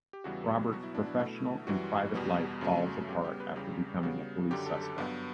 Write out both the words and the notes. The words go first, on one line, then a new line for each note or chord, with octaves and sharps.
Robert's professional and private life falls apart after becoming a police suspect.
G4
E2 C#3 E3 G3 B3 F#4
B2 F#3 B3 F#4
E4
D4
E4
B2 A3
F#2 E3 G3 F#4
E2 B2 G3 B3
F#2 C#3 F#3 A3
C#3 G3 B3 G4
G4
B4
E2 C#3 G3 G4
C#3 G3 B3 F#4
F#2 D3 F#3 G4
A4
A4
G2 F#3 B3